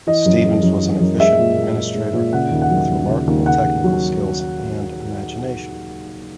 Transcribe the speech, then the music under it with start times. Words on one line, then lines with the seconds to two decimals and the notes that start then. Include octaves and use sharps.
Stevens was an efficient administrator with remarkable technical skills and imagination.
0.07 E3 D#5
0.26 F#2
0.45 G#3
0.63 F#2
0.82 E3
1.00 F#2
1.20 G#3 E5
1.38 A#2
1.58 A#2
1.76 G#3
1.95 G#3
2.13 A#2
2.33 C#3 F#5
2.51 D#2
2.62 F#5
2.70 F#3
2.89 D#2
3.08 C#3
3.27 D#2
3.46 C#3 F#5
3.64 D#2
3.84 F#3